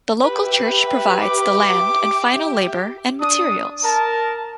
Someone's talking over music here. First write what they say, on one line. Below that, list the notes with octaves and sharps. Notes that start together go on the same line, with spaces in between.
The local church provides the land and final labor and materials.
G4 B4 E5 G5
D6
D4 D#6
A#4 A5